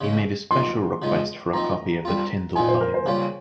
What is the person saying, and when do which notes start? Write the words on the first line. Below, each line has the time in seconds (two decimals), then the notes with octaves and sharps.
He made a special request for a copy of the Tyndale Bible.
0.01 C#3 G#3 C#4
0.51 F3 A#3 D#4 C6
1.02 C#3 F3 G#3 D#4
1.53 F3 C4 D#4 A#5
2.05 G3 C4 F4
2.55 A#2 F3 C4 D#4 G#5
2.68 C5
2.81 A#4
2.94 C5
3.06 C#3 G3 A#3 F4 C#5